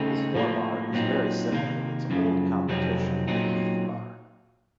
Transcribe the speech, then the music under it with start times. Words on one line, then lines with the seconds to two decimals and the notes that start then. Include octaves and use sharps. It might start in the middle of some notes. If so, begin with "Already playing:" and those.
The Skor bar is very similar to its old competition the Heath Bar.
Already playing: C#3 A3 C4 D#4
0.35 A2 F3 A#3
0.93 A#2 F#3 C4 D#4
1.52 C3 D#3 A#3
2.10 F#2 C#3 F3
2.68 F2 C3 F#3 C4 D#4
3.28 A#2 F#3 C4 D#4